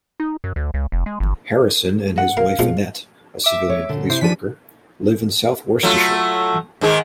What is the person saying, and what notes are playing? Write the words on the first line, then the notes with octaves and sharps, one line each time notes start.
Harrison and his wife Annette, a civilian police worker, live in south Worcestershire.
D#4
F#2
D2
C#2
F1
G#3
G1
F#5
A#3 F5
B2 F3 G#3
E5 D6
C#5
A#2 D3
C3 E4 C5 C7
E3 F3 D4 B6 D#7
F#3 A3 F4
G#2 D#3 G#4